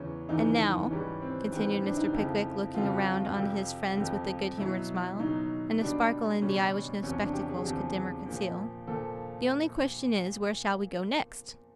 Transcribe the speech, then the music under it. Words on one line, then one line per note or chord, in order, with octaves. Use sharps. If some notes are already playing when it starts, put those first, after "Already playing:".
And now,' continued Mr. Pickwick, looking round on his friends with a good-humoured smile, and a sparkle in the eye which no spectacles could dim or conceal, 'the only question is, Where shall we go next?'
Already playing: E2 C#3 E3 C#4
E2 C#3 E3 D#4
G#2 E3 G3 C#4
C4
G#2 E3 G3 C4
D4
D#4
F2 C#3 F3 E4
F2 C#3 F3 F4
F#4
F4
F2 C3 F3
F2 C3 F3
B2 F#3 E4
B2 F#3 D#4
B2 G3 D4
B2 G3 C#4
E2 C3 F3 C#4
D4
G4
G#4
E2 C3 F3 G4
A#2 F3
A#2 F3 A4